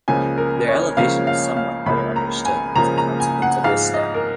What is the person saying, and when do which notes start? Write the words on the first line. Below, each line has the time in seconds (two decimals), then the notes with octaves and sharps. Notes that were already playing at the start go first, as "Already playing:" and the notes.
Their elevation is somewhat better understood as a consequence of this step.
0.08 C#2 C#3 F3 A#3 G#5
0.38 A#4
0.68 C#5
0.97 C#2 C#3 F3 A#3 F5
1.27 F5
1.56 F5
1.86 C#2 C#3 F3 A#3 B5
2.16 A#5
2.45 G#5
2.75 C#2 C#3 F3 A#3 A#5
2.98 A#5
3.20 G#5
3.42 F#5
3.64 G#2 F3 G#3 F5
3.94 D#5
4.14 A#4